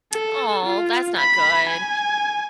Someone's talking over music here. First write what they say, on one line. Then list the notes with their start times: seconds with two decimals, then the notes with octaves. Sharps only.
Oh, that's not good.
0.12 A4
0.65 F4
1.17 B5
1.69 G#5